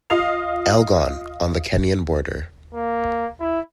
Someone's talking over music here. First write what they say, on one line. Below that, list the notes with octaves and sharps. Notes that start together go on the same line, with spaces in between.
Elgon on the Kenyan border.
F4 D#5 F5 C7 F7
A#3
E4